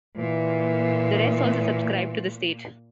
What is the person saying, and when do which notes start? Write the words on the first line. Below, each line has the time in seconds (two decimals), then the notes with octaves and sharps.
The rest also subscribed to "The State".
0.18 A#2 E3